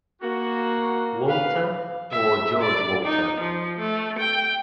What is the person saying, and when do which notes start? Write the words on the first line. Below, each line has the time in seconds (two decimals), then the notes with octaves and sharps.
Walter' or 'George Walter'.
0.22 A#3 F#4
1.28 B4 F5
2.11 E5
2.62 D5
3.05 D#4
3.40 F3
3.79 A3
4.18 G5